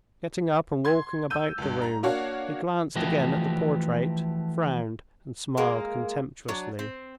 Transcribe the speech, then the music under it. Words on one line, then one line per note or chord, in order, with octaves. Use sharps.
Getting up and walking about the room, he glanced again at the portrait, frowned, and smiled contemptuously.
C6 G#6
E6 G6 D#7
C#2 G2
A#5
A#3 D4 F#4 C#5 F5
E3 F3 A3 F#4 G4 D#5
G#3 A#3 A#4
F#3 D4
C4